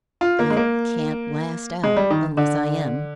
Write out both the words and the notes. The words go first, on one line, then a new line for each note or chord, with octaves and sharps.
I can't last out unless I am.
F4
A#3
G#3
A#3
G#3
G3
D#3
D3